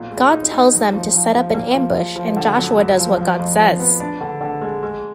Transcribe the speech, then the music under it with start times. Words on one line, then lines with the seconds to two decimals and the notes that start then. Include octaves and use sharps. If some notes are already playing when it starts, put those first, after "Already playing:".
God tells them to set up an ambush and Joshua does what God says.
Already playing: B1 A#2
0.11 G#3
0.32 D#4
0.52 D#4
0.72 F#2
0.93 F3
1.14 F3
1.34 F3
1.54 A#3
1.75 F3
1.95 F4
2.16 F3
2.36 D3
2.57 F#2
2.77 F#2
2.98 F3
3.18 F3
3.39 F2
3.59 F3
3.79 B3
4.00 D4
4.21 D3
4.41 D3
4.61 G#3
4.83 G#3